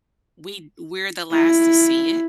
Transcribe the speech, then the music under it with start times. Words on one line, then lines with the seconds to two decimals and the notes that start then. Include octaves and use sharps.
we we're the last to see it?
1.32 E4